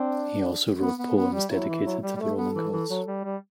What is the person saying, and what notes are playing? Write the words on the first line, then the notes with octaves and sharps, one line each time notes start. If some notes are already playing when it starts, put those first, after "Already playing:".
He also wrote poems dedicated to the Roman Gods.
Already playing: C4 D4
B3
B3
B3
G3
F#3 E4
E3
F#3
G3
G3
A3 A4
B3
E3
E3
F#3
G3
G3